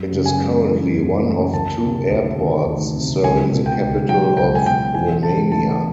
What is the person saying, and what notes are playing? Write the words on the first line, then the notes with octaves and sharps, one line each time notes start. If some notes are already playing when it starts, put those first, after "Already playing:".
It is currently one of two airports serving the capital of Romania.
Already playing: F#2
C#3
G#5
G#3
E3
F#2
C#3
D2 A5
C3
D2
D#3
D2
C3
C#2 G#5
B2
G5
C#2
F#3 G5
C#2 G5
G#5
B2 G5
E2 G#5
C#3 A5
A3 A5
A5